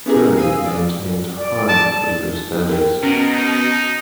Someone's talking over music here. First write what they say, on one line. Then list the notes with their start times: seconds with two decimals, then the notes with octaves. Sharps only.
Koenig maintained high audio standards.
0.06 B3 C#4 E4 G4 G#4 A#4
0.37 C5 F5 G#5 D#6 E6
0.66 D5
1.37 D5
1.69 A5
2.69 A#4 G5
3.03 B2 C#4 A#4
3.33 D#4